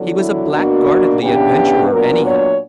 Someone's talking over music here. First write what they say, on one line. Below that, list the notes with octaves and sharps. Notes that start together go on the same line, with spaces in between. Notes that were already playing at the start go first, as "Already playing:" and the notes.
He was a blackguardly adventurer, anyhow.
Already playing: E2 D3 F#3
E4
B2 A#3 D4 F#4
C#3 E3 B3 D4 G4
A#2 F#3 B3 D4 A#4
C#5